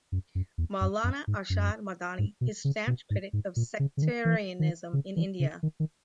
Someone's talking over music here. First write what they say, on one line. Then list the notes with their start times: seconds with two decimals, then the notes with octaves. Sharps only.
Maulana Arshad Madani is a stanch critic of sectarianism in India.
0.12 F#2
0.35 F#2
0.58 E2
0.81 F#2
1.04 F#2
1.27 G#2
1.50 F#2
2.19 G#2
2.41 B2
2.65 C#3
2.87 B2
3.10 G#2
3.33 G#2
3.56 A#2
3.79 C#3
3.97 C#3
4.02 D#3
4.25 E3
4.59 D#3
4.93 C#3
5.16 E3
5.40 C#3
5.63 D#3
5.80 D#3